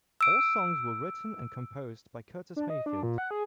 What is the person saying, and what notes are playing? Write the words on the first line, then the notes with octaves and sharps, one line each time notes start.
All songs were written and composed by Curtis Mayfield.
E6 D7
D4
D#5
D4
A#2
F#5
G#4